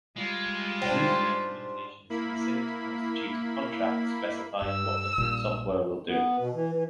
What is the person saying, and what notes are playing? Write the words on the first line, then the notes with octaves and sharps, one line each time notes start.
User documentation is considered to constitute a contract specifying what the software will do.
G3 G#3 F4
G#2 D4 G4 C5
A#3 E4 B5
G2 E6
A#1 A#2 G3
B3
B2
E3
E3